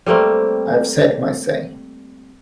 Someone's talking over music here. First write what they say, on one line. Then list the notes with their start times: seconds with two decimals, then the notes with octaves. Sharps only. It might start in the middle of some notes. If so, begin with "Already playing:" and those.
I have said my say.
0.06 G3 A3 A#3 C4